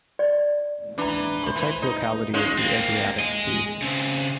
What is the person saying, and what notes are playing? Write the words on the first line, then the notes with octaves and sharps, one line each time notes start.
The type locality is the Adriatic Sea.
D5
E3 D4 A#5
C5 B5
E3
D#4
G#3 C#4 D#4 F4 C5
A#3 C4
G#4 D#5
C#3 C4